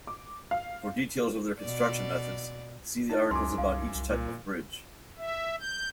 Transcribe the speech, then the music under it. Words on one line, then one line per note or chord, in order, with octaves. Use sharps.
For details of their construction methods, see the articles about each type of bridge.
D6
F5
B2 D5
D#4 E4 D#5
C#2 F#2 G#5 C6 D6
C2 F5
C2
A#2
E5
G6